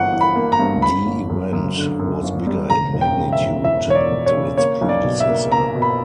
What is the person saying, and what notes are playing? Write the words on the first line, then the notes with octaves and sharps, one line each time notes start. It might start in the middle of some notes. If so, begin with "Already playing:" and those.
The event was bigger in magnitude to its predecessor.
Already playing: G1 G2 E3 F#5
E3
B5
A#3
A#5
G2
G1 B5
G1
F#2
F#2
D3
F#2
G1
G3
E1 A#5
E1
G5
C#3
E5
E1
E2 E5
E1 C#5
D5
E1
C#5
C#3
A#3 C#5
B1
D5
B2
E5
A#3
A#3 A#5
B2
B5